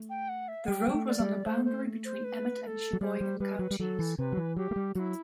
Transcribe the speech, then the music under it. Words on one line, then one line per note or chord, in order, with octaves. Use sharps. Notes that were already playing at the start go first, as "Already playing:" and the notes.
The road was on the boundary between Emmet and Cheboygan counties.
Already playing: A3
G5
F#5
E5
G3 G5
G3
A3
D5
G3
A3 C5
C5
C5
B4
B4
A4
F#3
G3 C5 D5
G3
G3 B4
F#3
G3
F#3 A4
E3
C3 B4
F#3
E3
F#3 G4
A3
G3
F#3 E4 F#4